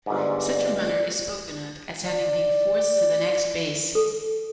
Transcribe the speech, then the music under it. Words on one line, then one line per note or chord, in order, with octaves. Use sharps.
Such a runner is spoken of as having been forced to the next base.
G1 G#2 D5
D5
A4